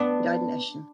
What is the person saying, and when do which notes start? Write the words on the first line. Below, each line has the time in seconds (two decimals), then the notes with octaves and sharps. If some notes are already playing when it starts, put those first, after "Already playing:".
He died in Eschen.
Already playing: B3 D4